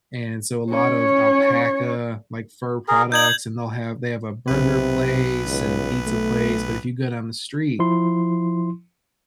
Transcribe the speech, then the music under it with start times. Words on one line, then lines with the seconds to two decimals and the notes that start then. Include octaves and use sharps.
And so a lot of alpaca, like, fur products, and they'll have they have a burger place and pizza place, but if you go down the street,
0.70 C#4 C#5
2.88 G#4 A#4
3.12 D#4 G6 G#6 F#7
4.48 B1 C3 B4
5.46 C#2
6.06 A3
7.79 F3 E4 C6